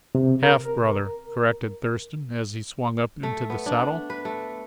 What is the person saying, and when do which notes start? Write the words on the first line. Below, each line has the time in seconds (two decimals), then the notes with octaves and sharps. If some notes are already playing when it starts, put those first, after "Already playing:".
"Half brother," corrected Thurston, as he swung up into the saddle.
0.15 C3
0.43 A#4
3.23 A3
3.50 B3
3.66 D4
4.10 B4
4.25 A3